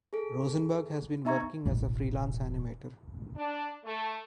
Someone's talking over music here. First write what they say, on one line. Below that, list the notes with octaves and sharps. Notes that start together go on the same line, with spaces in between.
Rosenberg has been working as a freelance animator.
G#4 A4
B3 D#4 E5 A#5 C#6 G#6
E1 A1
D4
A3